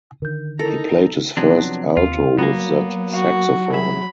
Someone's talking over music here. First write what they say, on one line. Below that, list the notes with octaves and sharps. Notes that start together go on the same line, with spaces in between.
He played his first alto with that saxophone.
D3 D#3 A#4 G6
D#4 E4 A4 A#4 A#5 A#6
C3 F3 F#3 B3 D4
D#2 F4
G2 F#3 A#3 B3 F#4 A#5
F#4 F5
D#2 G#4 E5 B5